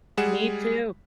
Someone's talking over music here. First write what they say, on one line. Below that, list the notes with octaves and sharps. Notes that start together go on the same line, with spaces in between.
Me too,
G3 G#3 G#4 F#5 E7